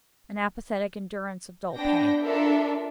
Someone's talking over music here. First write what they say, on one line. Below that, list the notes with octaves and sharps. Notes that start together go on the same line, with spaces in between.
An apathetic endurance of dull pain.
B3 D4 G5 A#6
D4 F4 A4 A#4 E5